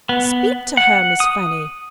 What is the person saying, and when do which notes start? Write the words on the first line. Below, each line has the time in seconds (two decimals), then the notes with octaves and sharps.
Speak to her, Miss Fanny!'
0.09 B3
0.77 F#5
1.20 D#6